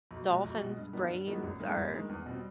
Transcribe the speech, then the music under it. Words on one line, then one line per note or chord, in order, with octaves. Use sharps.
dolphins' brains are
B1
B2 G#3
B1
B2 G#3
G2
D#3 F#3 B3 D4
G2
D#3 F#3 B3 D4
A1
G2 D#3 G#3
A1
G2 D#3 G#3
E2
B2 G3 C4